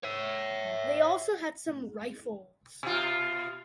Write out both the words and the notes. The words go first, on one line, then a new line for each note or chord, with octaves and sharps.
They also had some rifles.
C#5 E5
B2 F4